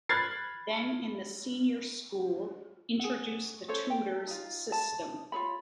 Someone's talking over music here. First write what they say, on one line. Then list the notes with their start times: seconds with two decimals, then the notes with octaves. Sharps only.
Then in the Senior School introduce the Tutors system.
0.09 B5 F6 F#6 G#6 A6 C7
3.00 G#4 F#5
3.68 C#4 A4 C5 C#5
3.90 G5
4.27 D#4 F4
4.72 A5
5.32 F4 G#4 C#5 B5